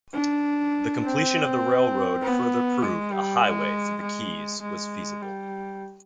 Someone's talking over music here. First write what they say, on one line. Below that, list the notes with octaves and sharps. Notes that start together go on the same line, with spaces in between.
The completion of the railroad further proved a highway through the keys was feasible.
D4
C4
B3
G#3
G3
G#3
G#3
G#3
G3